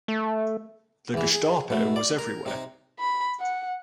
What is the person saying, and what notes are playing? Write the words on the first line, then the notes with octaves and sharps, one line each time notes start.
The Gestapo was everywhere.
A3
E2 E3
G#4
B2 A3
D5
A#4
C3 D#4
B5
F#5